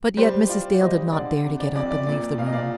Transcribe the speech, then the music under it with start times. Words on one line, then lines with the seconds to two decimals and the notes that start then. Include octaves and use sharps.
But yet Mrs. Dale did not dare to get up and leave the room.
0.17 G3 C5
0.49 F4 D5
0.81 G3 C5 D#5
1.12 D3 D5
1.44 C3
1.60 D5
1.75 F2 D5
1.91 D5
2.07 A#2 D5
2.38 A#2 F5
2.46 D#5
2.53 D5 F5